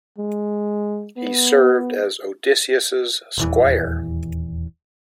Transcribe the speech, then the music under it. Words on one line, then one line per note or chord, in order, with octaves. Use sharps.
He served as Odysseus's squire.
G#3
B3
D#1 E2 E3